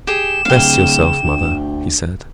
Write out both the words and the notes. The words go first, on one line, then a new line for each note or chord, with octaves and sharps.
"Rest yourself, mother," he said.
G4 G#4 E7
D1 C#3 G4 F5
D2 D3